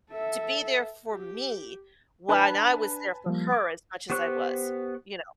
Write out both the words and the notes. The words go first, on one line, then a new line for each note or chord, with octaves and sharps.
to be there for me when I was there for her as much as I was, you know
A4 E5
G4
D4 B4 G#5 A5 B5 F#6
F3 G3 A#3
D6
B3 G4 C5 C#6 F#6